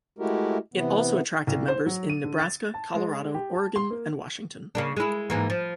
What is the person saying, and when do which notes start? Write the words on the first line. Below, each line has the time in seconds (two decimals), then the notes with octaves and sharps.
It also attracted members in Nebraska, Colorado, Oregon and Washington.
0.18 G#3 A3 E4 F#4 G4 A#4
0.74 C3 E3 B3
1.47 C2
1.68 C5
1.86 F#3
2.10 D#7
2.24 D3
2.40 A6
2.74 A5
2.94 G#3
3.34 G4
3.55 A5
3.76 C6
3.90 A#3
4.75 C#3 A#3 D4
4.97 G#3 E4
5.30 G#2 E3 A#3
5.50 F3